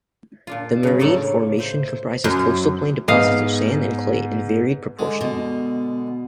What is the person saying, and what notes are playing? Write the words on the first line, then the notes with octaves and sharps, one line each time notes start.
The marine formation comprises coastal plain deposits of sand and clay in varied proportion.
A#2 D4 F4
G2 C#3
A2 C#3 A#3 A4 C#5 D5
C5 E5
F#2
G#2 B3 D#5 F5
D3 G#3
B2